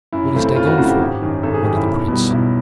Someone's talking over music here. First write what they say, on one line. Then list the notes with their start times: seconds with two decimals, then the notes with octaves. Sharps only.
"What is Dagon for?" wondered the prince.
0.12 F#2 E4
0.34 C#3 E3 A3 C4
0.56 F#2 F4
0.67 F#4
0.78 C#3 E3 A3 C4 F#4
0.89 G4
1.00 G#1
1.22 F#2 D#3
1.43 G#1 A4
1.54 G#4
1.65 F#2 D#3 G4
1.76 E4
1.87 B1
2.08 B2 G3
2.30 B1 E4